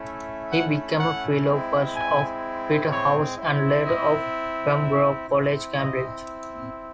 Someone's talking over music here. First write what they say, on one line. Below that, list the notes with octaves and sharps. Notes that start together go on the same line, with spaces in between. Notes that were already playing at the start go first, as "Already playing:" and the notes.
He became a Fellow first of Peterhouse, and later of Pembroke College, Cambridge.
Already playing: A3 C#4 E4
F#5
F#5
G#3 C4 E4
G#5
C#5
C4 E4
D#5
E5
C4 E4
D#5